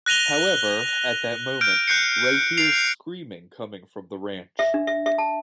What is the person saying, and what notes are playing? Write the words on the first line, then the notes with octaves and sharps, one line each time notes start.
However, at that moment, Ray hears screaming coming from the ranch.
F#6 A#6 D#7 F7 G7
F6 G6 D7
F#6 G6 C7 C#7
C7 D7 F7
E5
D4
E5
E5
A5